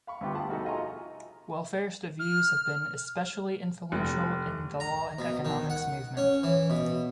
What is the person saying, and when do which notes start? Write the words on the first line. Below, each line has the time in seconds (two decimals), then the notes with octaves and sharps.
"Welfarist" views have been especially influential in the law and economics movement.
0.07 F5 B5 C#6
0.21 D2 G3 B3 F4 G4 B5
0.35 G#4 F#5 A5
0.49 B2 F3 D#4 F#4 G#4 A4
0.65 F4 D#5 E5 G#5 A#5 C#6
2.20 F6
3.92 F1
4.80 A#5
5.19 B2
5.45 D#3
5.70 F#5
6.17 C#4
6.43 E3
6.70 B2